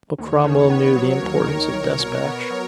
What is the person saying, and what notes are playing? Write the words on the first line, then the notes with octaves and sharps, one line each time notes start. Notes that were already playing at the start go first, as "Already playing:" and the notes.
But Cromwell knew the importance of despatch.
D#2 C#5
D#3
B3
F#3 A#4
D#2
D#3
C2
B2
B3
F#3